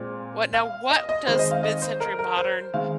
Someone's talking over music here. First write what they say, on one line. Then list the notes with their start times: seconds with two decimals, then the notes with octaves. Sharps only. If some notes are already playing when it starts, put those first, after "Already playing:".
What now, what does mid-century modern,
Already playing: A#2 G#3 C4
0.54 F5
0.90 D#5
1.09 D#5
1.27 D#3 G#3 C4 C5
1.39 D#5
1.51 F5
1.63 D#5
1.82 C5
2.00 A#4
2.19 A#4
2.37 C5
2.74 D#3 G#3 C4 F5